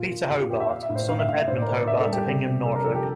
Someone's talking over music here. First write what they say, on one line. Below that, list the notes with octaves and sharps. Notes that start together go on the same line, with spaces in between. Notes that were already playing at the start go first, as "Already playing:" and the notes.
Peter Hobart, son of Edmund Hobart of Hingham, Norfolk.
Already playing: A#2 F4
A#2
A#2 G4
F4
A#3 G4
E5
A#3 F5
E5
A2
C5
A2 F5
E5
A2 F5
E5
A2 C5
A#4 D5
A#3 C5
D5
A#3 E5
A4
G3
G4
C3 G4
C3
C3 A4
A#4
F3 A4
G4